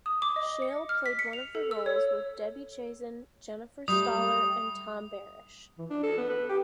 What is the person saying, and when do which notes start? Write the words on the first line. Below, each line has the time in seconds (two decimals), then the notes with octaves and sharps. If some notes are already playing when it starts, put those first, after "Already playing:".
Shale played one of the roles with Debby Chazen, Jennifer Stoller, and Tom Berish.
0.06 D#6
0.22 D6
0.36 D#5
0.62 C#7
0.89 F6
1.06 B6
1.19 C#7
1.33 F7
1.55 A4
1.71 E6
1.86 C#5
3.88 G3 A3 D#6
5.78 E3
5.90 D4
6.03 A4
6.18 B3
6.29 B4
6.49 G4